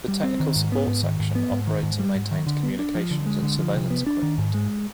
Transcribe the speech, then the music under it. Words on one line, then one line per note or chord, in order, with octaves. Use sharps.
The Technical Support section operates and maintains communications and surveillance equipment.
G3
C4
D#3
G#2
B3
G#2
D#3
G#2
B3
G#2
D#3
G#2
G3
G#2
D#3
D3
B3
D4
F3
D3
G#3
D3
F3
C3
B3
D4
D#3
G#2
G#3